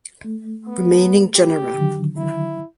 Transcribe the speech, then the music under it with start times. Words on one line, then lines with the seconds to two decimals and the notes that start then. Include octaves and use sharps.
Remaining genera.
0.24 A3
0.68 B3
1.35 G4
1.78 D3 D#3 F#3
2.17 E4